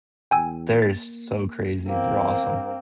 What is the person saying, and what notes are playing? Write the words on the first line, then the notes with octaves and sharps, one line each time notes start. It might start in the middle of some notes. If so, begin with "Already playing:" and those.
They're so crazy, they're awesome.
E2 G5 G#5 E6
A#3 A6
E2 A#3 C4
G2